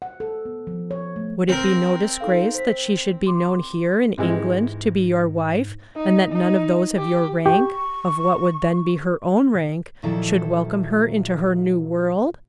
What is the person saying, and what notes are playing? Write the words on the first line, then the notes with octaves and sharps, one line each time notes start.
"Would it be no disgrace that she should be known here, in England, to be your wife, and that none of those of your rank,--of what would then be her own rank,--should welcome her into her new world?"
F#5
A4
B3
F3
C#5
A3
C4 A#4
D#4 A4 F5
C5 B6
C6 D6
G#2 C3 E3 G#3
D#4
D#4
G4
G4 C#6
A#2 D#3 F3 F#3 E4 A4